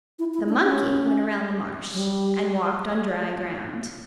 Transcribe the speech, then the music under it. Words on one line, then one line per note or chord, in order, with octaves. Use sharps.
The monkey went around the marsh and walked on dry ground.
E4
E4
D4
C#4
F#3
G3